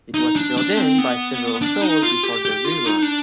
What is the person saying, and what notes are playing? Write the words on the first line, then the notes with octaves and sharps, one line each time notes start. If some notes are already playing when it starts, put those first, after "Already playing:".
It was filled in by several shows before the rerun.
D#4
D4
D4
C4
B3
D4
D#4
F4
G4
G4
F4
D#4
D4